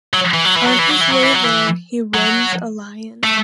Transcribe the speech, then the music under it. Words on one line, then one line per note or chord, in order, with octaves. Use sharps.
On his way there, he rends a lion.
F#3
E3
F#3
E3
F#3
E3
F#3
E3
F#3
E3
F#3
E3
F#3
A3